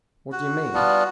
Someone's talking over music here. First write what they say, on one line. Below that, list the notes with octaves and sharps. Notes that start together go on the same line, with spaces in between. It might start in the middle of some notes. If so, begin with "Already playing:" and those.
"What do you mean?"
F#4
G3 B3 D4 F4